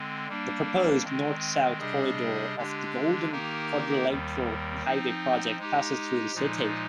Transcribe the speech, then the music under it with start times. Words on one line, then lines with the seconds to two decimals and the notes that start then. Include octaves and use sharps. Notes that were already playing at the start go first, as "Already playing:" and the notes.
The proposed North-south-Corridor of the Golden-Quadrilateral Highway project passes through the city.
Already playing: D3 G#3 C4
0.28 G3 A#3 D4
1.04 D#3 G#3 C4
1.79 C3 G3 D4 G#4 D#5
2.55 D3 G#3 D4 G4
3.31 D#3 A#3 D#4 G4 A#4
4.07 D#2 D#3 G3
4.83 F3 C4 D#4
5.59 G#3 D#4 G4
6.34 A#2 F3 G#3 D#4